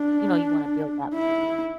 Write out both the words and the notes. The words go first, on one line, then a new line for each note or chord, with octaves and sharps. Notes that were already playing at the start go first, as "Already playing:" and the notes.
you know, you wanna build that bond.
Already playing: D4
E4